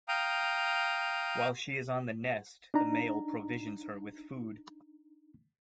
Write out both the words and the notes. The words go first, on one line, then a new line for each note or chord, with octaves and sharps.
While she is on the nest, the male provisions her with food.
F5 G5 A#5 D#6
D4 D#4 A#5